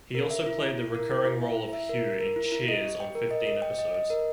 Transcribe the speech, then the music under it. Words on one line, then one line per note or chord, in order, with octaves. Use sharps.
He also played the recurring role of "Hugh" in "Cheers" on fifteen episodes.
A#4
E5
E4
E4
E4
A#4
E4
E4
E5
E4
E5
A#4
A#4
A#4
E4
E4
D#5
G4
G5
A#4
D#5
D#5
G5
D#5
D#5
A#4